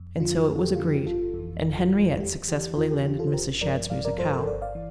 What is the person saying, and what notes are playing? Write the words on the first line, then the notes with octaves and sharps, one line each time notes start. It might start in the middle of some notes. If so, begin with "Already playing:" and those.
And so it was agreed, and Henriette successfully landed Mrs. Shadd's musicale.
Already playing: F2
D3 F3 F4
F2 A4
G4
D3 F3 F4
G4
G1 F4 A4
F2
E3
G1
F2
E3
E2 G4
E3 G4
E2 F4
G4
E3 G4
F4 A4
C5
A1 G4 A#4
G2 F3 A#4 D5
A1 D5 F5
A#4 D5
G2 F3 A4 C5
A#4
A4 C5
G1 A#4 D5
D5 F5
E3